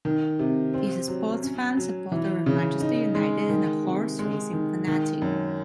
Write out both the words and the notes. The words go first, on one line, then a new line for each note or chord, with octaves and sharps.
He is a sports fan, supporter of Manchester United and a horse racing fanatic.
D#3
C3
C4
F#3
C#4
F#3
E3
C#3
D#4
G#3
D#3
C3
G#3
D#3
D#3
F#2